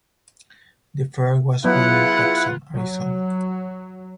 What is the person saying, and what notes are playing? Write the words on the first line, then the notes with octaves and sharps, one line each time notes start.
DeFer was born in Tucson, Arizona.
F#3 B3 E4 F4 G#4 B4 F#5
F#3